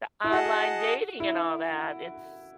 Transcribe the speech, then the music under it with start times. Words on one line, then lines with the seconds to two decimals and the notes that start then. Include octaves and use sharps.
The online dating and all that, it's
0.24 E4
0.31 F#4 G#4 D#5 F#5 A5
1.20 E4